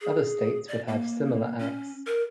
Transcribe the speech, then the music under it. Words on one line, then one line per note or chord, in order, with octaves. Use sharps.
Other states would have similar Acts.
G#4
D5
A#3
C#4
A#4